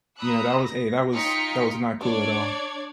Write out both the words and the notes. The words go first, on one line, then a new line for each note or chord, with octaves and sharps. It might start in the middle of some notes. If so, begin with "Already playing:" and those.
you know, that was a that was that was not cool at all.
A#5 B5 D#6 E6 F#6
A#6
D#4 F4 G5 F6 B6 C#7
D4 C#5 D5 G#6